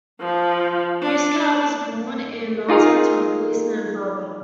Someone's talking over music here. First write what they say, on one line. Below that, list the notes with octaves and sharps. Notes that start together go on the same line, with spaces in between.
Muscat was born in Malta to a policeman father.
F3
D4
D#4 F4 G#4 A#4 F5